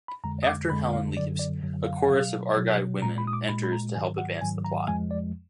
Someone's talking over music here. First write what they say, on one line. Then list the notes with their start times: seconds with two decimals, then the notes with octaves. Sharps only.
After Helen leaves, a chorus of Argive women enters to help advance the plot.
0.08 B5
0.24 F2 D3 G#3 A#5
0.43 D#6
0.47 D6
0.70 F2 D3 G#3 B5
0.93 F5
1.16 F#2 D3 F#3 D5
1.39 D5
1.63 F#2 D3 F#3
1.86 F5
1.97 F#5
2.08 B2 F#3 F5
2.56 B2 F#3
3.02 A#2 G#3 A#5
3.18 B5
3.27 D#6
3.33 D6
3.49 A#2 B5
3.53 G#3
3.63 B5
3.72 A#5
3.95 G#2 D#3 F#3 G#5
4.18 F#5
4.41 G#2 D#3 F#3 G#5
4.65 A#5
4.88 F2 F3 G#3 G#5
5.11 D5